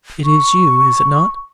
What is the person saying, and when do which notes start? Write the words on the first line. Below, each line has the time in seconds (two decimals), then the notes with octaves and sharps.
"It is you--is it not?"
0.25 C#6